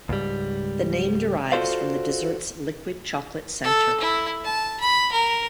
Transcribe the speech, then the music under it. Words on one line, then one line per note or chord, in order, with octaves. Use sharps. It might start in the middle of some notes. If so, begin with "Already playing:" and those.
The name derives from the dessert's liquid chocolate center.
C#2 G#2 G3
F4 F#4 A4 C5 D5 F5
A4
E4
A5
B5
A#4